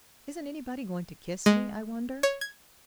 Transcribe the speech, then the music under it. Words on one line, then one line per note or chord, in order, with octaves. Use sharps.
"Isn't anybody going to kiss me, I wonder!"
G#3
C#5
G#6